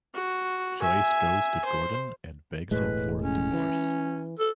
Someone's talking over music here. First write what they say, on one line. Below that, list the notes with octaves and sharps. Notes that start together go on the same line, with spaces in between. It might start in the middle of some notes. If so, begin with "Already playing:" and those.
Joyce goes to Gordon and begs him for a divorce.
F#4
E5 G#5
C5
E1 A2 G#3 B4
C#4
E3
A4